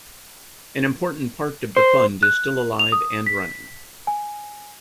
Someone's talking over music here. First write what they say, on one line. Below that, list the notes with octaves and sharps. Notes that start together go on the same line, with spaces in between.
An important part of the fund is still alive and running.
C5
F#6
F7
D#6
B6
G#5